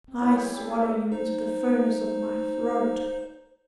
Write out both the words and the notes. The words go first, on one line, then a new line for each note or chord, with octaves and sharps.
I swallow you into the furnace of my throat.
C4
E4 C#5
G4 G#4
G4 A4 D5
D4 G#4
G#3 B3 A4 E5
D#4 C5